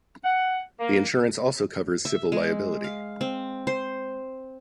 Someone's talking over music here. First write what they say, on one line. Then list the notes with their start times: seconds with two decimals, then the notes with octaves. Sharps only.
The insurance also covers civil liability.
0.24 F#5
0.79 A#3
2.05 E5
2.32 G#3
2.84 F5
3.21 C4
3.67 C5